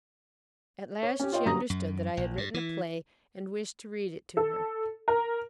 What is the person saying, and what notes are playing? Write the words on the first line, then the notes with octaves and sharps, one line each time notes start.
At last she understood that I had written a play, and wished to read it to her.
C#5
C#4 G4
F4 C#5 D#5 G5
G1 F#2 G3 A#5 D#6 A#6
F#2
A#1
G2
E3
A4
A#4